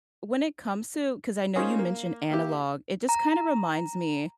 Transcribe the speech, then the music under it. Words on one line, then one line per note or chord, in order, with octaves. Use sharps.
when it comes to 'cause I know you mentioned analog, it just kinda reminds me,
A#3 C#4 D#4 F4 G#4 C5
A#3
A#3 E4 G4
A#5